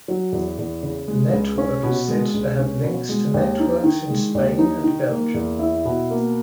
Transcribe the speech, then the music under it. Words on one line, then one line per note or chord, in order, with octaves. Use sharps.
The network is said to have links to networks in Spain and Belgium.
F#3
E2
E2
C#3
G#3
C#2
C#4
B2
G#3
C#2
C#4
B2
G#3
D#2
D#4
D#3
G#3
D#2
D#4
D#3
A#3
E2
E4
B2
A#3